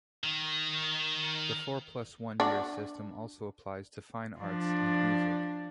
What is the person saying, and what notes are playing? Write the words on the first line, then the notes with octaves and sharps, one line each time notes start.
The four-plus-one-year system also applies to fine arts and music.
D#3
D4 F#4
F3 D4